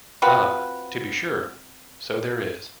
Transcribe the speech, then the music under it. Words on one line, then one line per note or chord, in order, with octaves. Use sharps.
Ah, to be sure, so there is!
C4 F4 F#4 B4